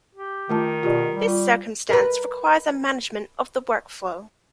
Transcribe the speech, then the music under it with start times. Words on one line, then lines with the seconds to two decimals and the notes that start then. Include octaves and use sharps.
This circumstance requires a management of the workflow.
0.15 G4
0.50 D#3 A3 F4 A5
0.83 B2 F4 G4 D5
1.11 G3
1.28 F4
1.89 A#4 B4